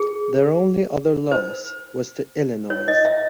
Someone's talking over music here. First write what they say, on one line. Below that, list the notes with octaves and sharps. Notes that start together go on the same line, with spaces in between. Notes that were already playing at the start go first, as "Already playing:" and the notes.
Their only other loss was to Illinois.
Already playing: G#4
C5
C#5
D#5
E5